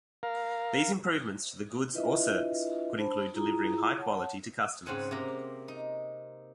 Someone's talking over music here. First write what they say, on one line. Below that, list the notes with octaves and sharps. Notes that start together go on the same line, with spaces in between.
These improvements to the goods or service could include delivering high quality to customers.
A#4 F5
D4 E4 F4 B4 D#5 E5
D4 C5 A5 B5
E4 F4 G#4 A#5 D#6
C#5 F#5 A5
G#2 C#3 C4 F#5 G#5
C3 A#3 A#5
D#4